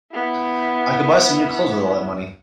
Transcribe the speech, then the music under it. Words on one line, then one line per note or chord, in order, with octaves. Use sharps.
I could buy some new clothes with all that money.
B3 E4